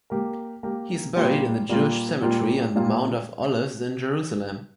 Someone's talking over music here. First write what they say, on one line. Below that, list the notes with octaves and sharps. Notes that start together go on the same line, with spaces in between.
He is buried in the Jewish cemetery on the Mount of Olives in Jerusalem.
A#3 G4 A#4
A#3 G4 A#4
A#2 G3 A#3 F4
A#2 G3 A#3 F4
A#2 G3 A#3 F4
A#2 G3 A#3 F4